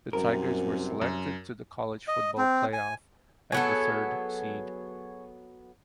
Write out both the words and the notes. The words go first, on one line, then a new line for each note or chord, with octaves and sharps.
The Tigers were selected to the College Football Playoff as the third seed.
C2 F#2 C3 A#4
F#2
D#5
C4
G#5
F#3 B3 G#4 A4 C#5 G#5